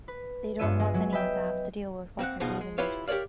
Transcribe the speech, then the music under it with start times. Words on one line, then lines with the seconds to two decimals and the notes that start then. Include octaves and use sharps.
They don't want anyone to have to deal with what they're dealing with.
0.08 B4
0.59 G2 B3 F4 C#5 E5 D#7
0.80 G#3
0.94 F#3
1.13 B4 D#5 E5 G5
2.19 A#3 C4 E5 F#5
2.40 D2 B2 F3 D#4 G#4
2.61 G#3
2.78 E4 F4 G4 B4 C#5 F5
3.08 G4 A#4 C#5 D5 F5